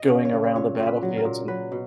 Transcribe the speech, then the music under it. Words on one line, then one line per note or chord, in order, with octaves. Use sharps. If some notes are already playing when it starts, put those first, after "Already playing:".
going around the battlefields, and
Already playing: D#5
C#3
C#5
C#3
B4
A#2 C#5
A#2
B4
F#3
A#4
A#2
F#3 B4
B2